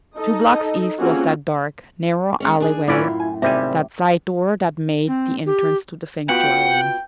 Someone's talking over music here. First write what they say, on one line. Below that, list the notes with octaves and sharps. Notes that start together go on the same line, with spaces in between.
Two blocks east was that dark, narrow alleyway, that side door that made the entrance to the Sanctuary.
D#4 A4 D#5
A#3 C4 C#4 F4 F#4 G#4
G#3 C#4 C#5
D4 G#4
F#2 A2 E3 C#4 E4 F4 D5
G#5
G#1 C3 G3 E5 G#5
C4
G4
B3 F4 F#4 F#5 G5